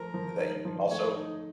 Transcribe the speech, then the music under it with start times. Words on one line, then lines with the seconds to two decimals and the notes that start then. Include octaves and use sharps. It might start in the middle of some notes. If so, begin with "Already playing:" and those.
that you can also
Already playing: F3 A3 A#4
0.14 F3
0.39 D#4
0.65 F3
0.91 A3 C#5
1.16 D#4 D#5